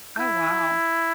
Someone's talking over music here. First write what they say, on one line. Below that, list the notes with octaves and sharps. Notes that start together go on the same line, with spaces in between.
Oh wow.
E4